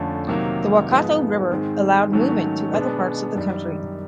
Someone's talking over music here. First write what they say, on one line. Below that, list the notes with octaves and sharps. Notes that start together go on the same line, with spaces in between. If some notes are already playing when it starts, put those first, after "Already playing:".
The Waikato River allowed movement to other parts of the country.
Already playing: F2 D3 F3 A3 C#4
C3 D#3 F#3 A#3
G#2 F3 G#3 B3 D#4
G#2 D#3 G#3 C4
G#2 D#3 F#3 A3 C#4
B2 G#3 B3 D4
F#2 D#3 G3